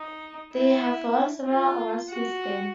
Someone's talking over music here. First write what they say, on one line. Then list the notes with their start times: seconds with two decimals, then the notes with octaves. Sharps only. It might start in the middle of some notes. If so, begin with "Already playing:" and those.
They have won several awards since then.
Already playing: D#4
0.53 E4
1.47 F4
2.09 F#4